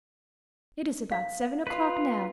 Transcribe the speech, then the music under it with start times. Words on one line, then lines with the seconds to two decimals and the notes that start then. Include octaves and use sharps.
It is about seven o'clock now.
1.12 F5
1.67 F4 B4